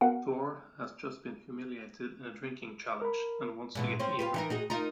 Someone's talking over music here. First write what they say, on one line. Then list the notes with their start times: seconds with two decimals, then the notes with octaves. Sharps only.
Thor has just been humiliated in a drinking challenge and wants to get even.
0.01 B3 F#4 A#4 F5 F#5
3.02 A#4 B5
3.75 G#2 B2 E3
4.00 C4 C#4 C5
4.19 F4 G4 B4
4.34 E3 D#4 A#4
4.50 D#4 F#4 G#4
4.70 D#4 F4 A#4